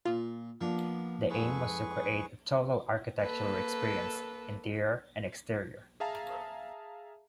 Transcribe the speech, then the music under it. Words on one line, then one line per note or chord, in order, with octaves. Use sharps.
The aim was to create a total architectural experience, interior and exterior.
A#2 F4
F3 A#3 B3 D4
F2 G#2 G#4 B4 C#6
A#3 A4 B4
G#4 E5 F5 A5 A#5